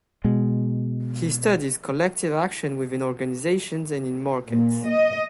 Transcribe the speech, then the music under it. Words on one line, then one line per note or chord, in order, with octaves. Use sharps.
He studies collective action within organizations and in markets.
B2 G#3
A#2
D#5